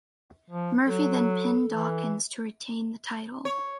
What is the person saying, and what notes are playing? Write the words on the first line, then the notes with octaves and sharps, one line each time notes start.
Murphy then pinned Dawkins to retain the title.
F3
F#3 A4
E3
C#5